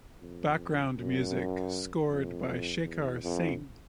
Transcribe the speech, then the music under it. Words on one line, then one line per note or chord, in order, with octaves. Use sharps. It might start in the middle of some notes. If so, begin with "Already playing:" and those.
Background music scored by Shekhar Singh.
F2
F#2
F2
E2
F2